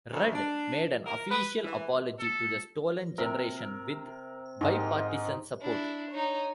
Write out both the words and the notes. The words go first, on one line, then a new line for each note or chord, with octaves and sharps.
Rudd made an official apology to the "Stolen Generation" with bi-partisan support.
D2
D4
A#4
B4
E3
A4
C3 A#4
G#2 D#3 G#3
D4 E4
D#4 C#5